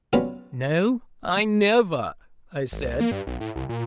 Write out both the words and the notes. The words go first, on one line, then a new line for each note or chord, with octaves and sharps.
"No, I never," I said.
F#3 G3 B3 C#4 F4
G#1
C2
A#3
G2
B1
A2
C2
A#2